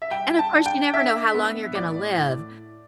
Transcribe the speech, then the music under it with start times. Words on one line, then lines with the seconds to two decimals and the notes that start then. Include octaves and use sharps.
And, of course, you never know how long you're gonna live,
0.02 E5
0.11 G3 G5
0.39 A5
0.52 D4
0.66 G5
0.93 D4 E5
1.34 B3
1.75 A2 D5
2.16 A2